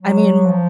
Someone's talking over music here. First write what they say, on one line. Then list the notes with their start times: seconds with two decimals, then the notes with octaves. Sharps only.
I mean
0.02 F#3
0.46 F3